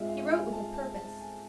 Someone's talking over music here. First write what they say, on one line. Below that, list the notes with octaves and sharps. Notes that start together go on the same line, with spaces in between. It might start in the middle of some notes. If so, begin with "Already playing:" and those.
He wrote with a purpose.
Already playing: G#2 G#3 C4 F4 E5
F5
G#5
A5
A5
A5
A5
G#5